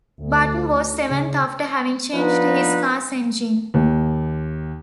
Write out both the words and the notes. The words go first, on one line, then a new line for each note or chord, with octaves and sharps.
Button was seventh after having changed his car's engine.
D2
C#3
F3 B3 D4 D#4 F4 B4
D#2